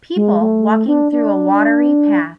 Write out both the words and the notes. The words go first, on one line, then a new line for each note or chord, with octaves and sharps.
People walking through a watery path.
G#3
A3
D4
D4